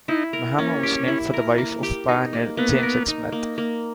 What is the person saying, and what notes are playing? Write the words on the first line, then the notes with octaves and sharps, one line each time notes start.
Mehama was named for the wife of pioneer James X. Smith.
D#4 E4
A#4
A#3 C#4
G4
E4
A#4
A#3
G4
D#4
A#3
A#3 B3
A#4
D#4
A#3
A#3